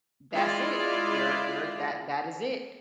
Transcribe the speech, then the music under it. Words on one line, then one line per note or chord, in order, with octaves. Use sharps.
That's it. You're you're that that is it.
G#3 E4 F4 D5